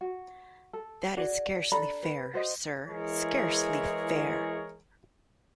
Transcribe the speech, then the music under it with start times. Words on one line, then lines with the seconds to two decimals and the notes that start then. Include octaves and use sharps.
That is scarcely fair, sir, scarcely fair!
0.01 F#4
0.73 A4
1.17 F#4 G#4 D5
1.72 D4 A4 A#5 B5
2.03 B4
2.34 F#4 C5 D#5
2.88 E3 G#3 E4 G#4 A#4 C#5